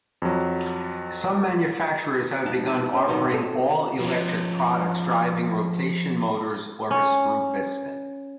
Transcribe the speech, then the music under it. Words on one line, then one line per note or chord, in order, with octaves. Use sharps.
Some manufacturers have begun offering all-electric products driving rotation motors or a screw piston.
F2 F#3
F2 D#4 A5
C#4 C5
B2 D#3 F#3 G3 B3
C4 D#4 A4
F3 C#4
C#4